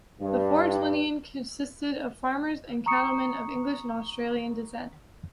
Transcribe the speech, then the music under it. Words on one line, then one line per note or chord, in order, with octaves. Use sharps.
The Ford lineage consisted of farmers and cattlemen of English and Australian descent.
G2
A#5 C#6 D#6 C#7